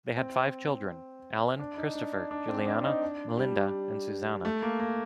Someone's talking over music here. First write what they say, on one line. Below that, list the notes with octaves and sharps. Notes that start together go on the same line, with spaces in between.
They had five children: Alan, Christopher, Juliana, Melinda and Susanna.
C4
D4
D#4
D4
D4
D4
C4
D4
D#4
D4
G3
A3
A#3
A#3